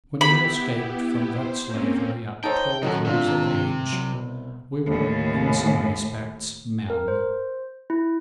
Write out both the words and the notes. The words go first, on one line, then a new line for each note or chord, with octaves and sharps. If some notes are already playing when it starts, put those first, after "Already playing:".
When we escaped from that slavery at twelve years of age, we were in some respects men.
B3 E4 G4 B5
C5
A#3 C4 C#4
D#4 A4 C5 C#5 G5 A5
F#2 D#3 F#3 F#4 A4 D#5
G#2 C3 D4 F4
D#3 A4
C2 F#3
B2
D#2 A2
A#4
C5
E4